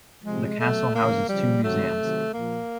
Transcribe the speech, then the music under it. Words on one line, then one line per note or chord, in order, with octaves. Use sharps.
The castle houses two museums.
C3 F3 G#3
B2 F#3 A3
C#3 E3 A#3
C#3 F3 G3
C3 D#3 F#3 A3
C3 D#3 F#3
A#2 F3 A#3